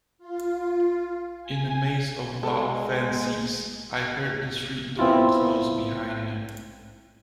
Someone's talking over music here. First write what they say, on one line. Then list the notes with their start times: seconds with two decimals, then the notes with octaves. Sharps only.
In a maze of wild fancies I heard the street door close behind him.
0.18 F4
1.43 G#5
2.43 G#3 A4 D5
4.99 B3 C4 E4 F4